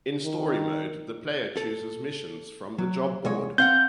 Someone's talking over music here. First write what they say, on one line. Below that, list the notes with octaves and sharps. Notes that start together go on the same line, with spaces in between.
In story mode, the player chooses missions from the Job Board.
D#3
A4
F#3
C2 G#3 C#5
C4 F5 F#5 G6